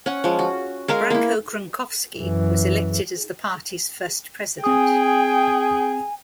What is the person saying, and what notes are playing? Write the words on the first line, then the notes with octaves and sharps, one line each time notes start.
Branko Crvenkovski was elected as the party's first president.
C#4 F#5
F3 G#3
F#4
G#3 A#4 F5
A#3 E4
F#2 E3
C4 G#4 G5 G#5 D#6